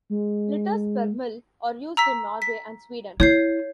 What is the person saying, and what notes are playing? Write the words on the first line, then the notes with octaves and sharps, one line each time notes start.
Litres per mil are used in Norway and Sweden.
G#3
A#5 E6 B6
B6
E4 C#5 G6 C7